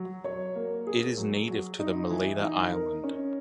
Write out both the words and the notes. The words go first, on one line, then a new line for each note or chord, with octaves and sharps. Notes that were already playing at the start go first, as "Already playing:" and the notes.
It is native to the Malaita island.
Already playing: F#3
C#5
A#3
G#4
F#3
F#3
D#4
E3
D#4
A#4
C#4